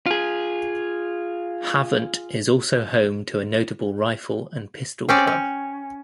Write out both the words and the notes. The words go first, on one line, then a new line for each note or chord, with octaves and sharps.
Havant is also home to a notable rifle and pistol club.
F4 G#4
C4 C#4 D5
C#4